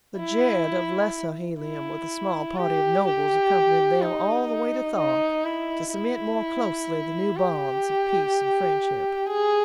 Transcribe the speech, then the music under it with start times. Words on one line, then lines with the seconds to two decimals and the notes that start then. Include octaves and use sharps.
The jed of lesser Helium with a small party of nobles accompanied them all the way to Thark to cement more closely the new bonds of peace and friendship.
0.20 E4
1.62 E4
2.58 G4
3.05 G4
4.02 D#4
4.97 D#4
5.45 E4
5.93 E4
7.36 G4
9.26 G#4